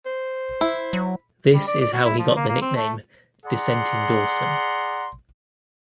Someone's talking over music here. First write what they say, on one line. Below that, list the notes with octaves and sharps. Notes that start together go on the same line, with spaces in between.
This is how he got the nickname "Dissenting Dawson".
C5
E4
F#3
G3
D5
D5
F#4
E4
F3
A#3
A#3
C4
A3
G#4 D5 F#5 A#5 C6